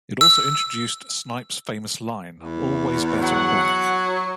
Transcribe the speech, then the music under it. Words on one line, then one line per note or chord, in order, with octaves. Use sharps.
It also introduced Snipes' famous line: Always bet on black.
E6
E2
F#3 F#5